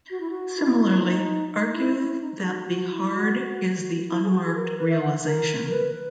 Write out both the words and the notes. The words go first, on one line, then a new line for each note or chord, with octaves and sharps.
Similarly, argue that the hard is the unmarked realization.
F#4
E4
F#4
E4
D#4
D#4
E4
E4
D#4
G#4
F#4
F#4
E4
F#4
F#4
E4
G#4
F#4
G#4
A#4
B4
E5
F#5
A#4
B4
B4